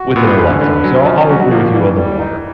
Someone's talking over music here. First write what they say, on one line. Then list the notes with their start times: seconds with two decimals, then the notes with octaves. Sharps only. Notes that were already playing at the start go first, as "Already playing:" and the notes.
within our lifetime. So, I'll I'll agree with you on the water.
Already playing: F#4
0.16 A#2 B4
0.27 A2
0.38 G#2 C#4
0.49 D3
0.61 D3 B4
0.83 F#3 C#4
1.06 F3 C#4
1.17 F3
1.29 G3 F#4
1.40 F#3
1.51 F3 A#3
1.74 E3 G3
1.97 G3
2.19 D#4